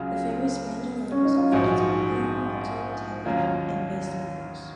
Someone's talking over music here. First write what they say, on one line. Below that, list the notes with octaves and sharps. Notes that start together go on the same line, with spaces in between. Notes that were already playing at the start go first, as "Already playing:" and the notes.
The Farris banjolin was offered in soprano, alto, tenor, and bass models.
Already playing: C#2 C#3 F#3 F4
C#4
D#4
F4
A#1 G#2 F3 F#4
D#2 D#3 F#3 A#3 C#4 F4